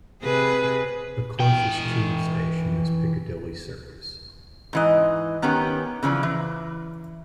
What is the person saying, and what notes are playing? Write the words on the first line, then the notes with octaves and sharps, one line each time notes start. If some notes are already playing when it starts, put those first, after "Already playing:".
The closest tube station is Piccadilly Circus.
C3 G#4 B4
E3 G5
G#2 E3 D#5
D#3 B3 C#4 G4
C#3 E3 F3 D5
E3